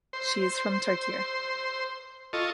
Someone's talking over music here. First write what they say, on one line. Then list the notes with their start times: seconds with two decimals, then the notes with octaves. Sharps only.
She is from Tokyo.
0.13 C5
2.33 F4 A4 D#5 C#6